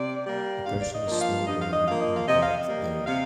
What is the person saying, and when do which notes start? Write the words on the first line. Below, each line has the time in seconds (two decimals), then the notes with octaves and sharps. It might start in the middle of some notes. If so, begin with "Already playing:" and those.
A person is snowboarding on a bright day.
Already playing: C3 D5
0.26 G3 A#3
0.65 G2 F5
0.82 D5
0.93 D#5
1.07 F3 A#3
1.20 F5
1.46 G2 D#5
1.61 F5
1.73 D#5
1.86 F3 A#3 F5
2.01 D#5
2.14 F5
2.27 C3 D#5
2.42 F5
2.56 D#5
2.67 G3 A#3
3.07 C3 F5